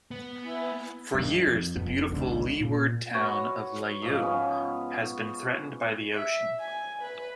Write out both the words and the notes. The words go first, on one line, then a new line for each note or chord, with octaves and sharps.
For years the beautiful Leeward town of Layou has been threatened by the ocean.
B3
E4 G#5
G2 D#3
F2
F1 F2 B3
G#1 C#2 G#2 D4
A#2
F#4 B4 C#5
G#2 F3
B3 C#4
E5
G#5
B4